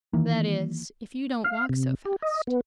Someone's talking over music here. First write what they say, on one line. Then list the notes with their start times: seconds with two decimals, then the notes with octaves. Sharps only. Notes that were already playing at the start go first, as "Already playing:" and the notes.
That is, if you don't walk so fast.
0.13 D#3 E3 A#3
1.45 F5
1.69 C3
2.05 G4
2.22 D#5
2.47 B3